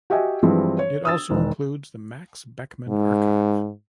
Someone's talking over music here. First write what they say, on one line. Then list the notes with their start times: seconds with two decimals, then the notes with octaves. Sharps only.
It also includes the Max Beckmann Archive.
0.10 F#4 G4 D#5 E5 G5 G#5
0.43 G2 E3 F3 G#3 C4
0.79 C#5
1.05 D#6 E6 A6
1.30 E1 D#3
2.89 G#2